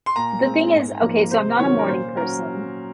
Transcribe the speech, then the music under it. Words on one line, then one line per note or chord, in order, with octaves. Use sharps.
the thing is okay, so I'm not a morning person,
C6
A#2 A#5
G#3 C4
G#2
F3 A#3
C3 C5
D#3 F#3 C#4 C#5
A#4
A#2 C5
F#3 C#4 A#4